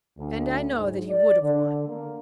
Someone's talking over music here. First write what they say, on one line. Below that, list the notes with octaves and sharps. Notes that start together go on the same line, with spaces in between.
And I know that he would have won.
D2
G#2
D5
D3
A#3